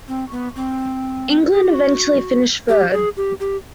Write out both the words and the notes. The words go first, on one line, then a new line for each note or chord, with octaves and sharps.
England eventually finished third.
C4
B3
C4
G#4
G4
F#4
G4
G#4
G4
G4